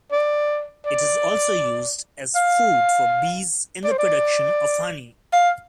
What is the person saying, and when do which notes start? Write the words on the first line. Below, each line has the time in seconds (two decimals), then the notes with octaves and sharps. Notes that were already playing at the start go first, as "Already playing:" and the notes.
It is also used as food for bees in the production of honey.
0.11 D5
0.86 D5
2.35 F5
3.84 D5
3.92 C5
3.99 D5
5.33 F5